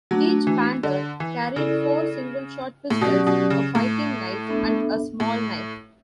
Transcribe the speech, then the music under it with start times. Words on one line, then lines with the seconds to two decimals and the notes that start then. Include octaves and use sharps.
Each Pandur carried four single-shot pistols, a fighting knife and a small knife.
0.11 F#3 A3 D4 F#4
0.47 E3
0.83 D3
1.20 E3
1.56 C#3 E4 A4 D5
2.90 A2
3.01 B2 F#3 C#4 G4 D5
3.27 B2
3.50 C#3
3.75 A2
4.47 B3 D4 A4 E5
5.20 A2